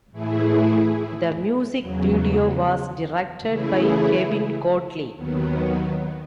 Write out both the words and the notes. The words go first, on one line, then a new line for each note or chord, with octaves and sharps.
The music video was directed by Kevin Godley.
A2 E3 A3 E4 G#4
E2 C#3 F#3
C#3 E3 A3 E4 G#4
D#2 D#3 F#3 B3